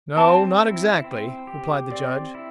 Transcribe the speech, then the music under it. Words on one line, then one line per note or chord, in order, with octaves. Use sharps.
"No--not exactly," replied the Judge.
C4 A5
E4
C4
G4
C4 D5
E4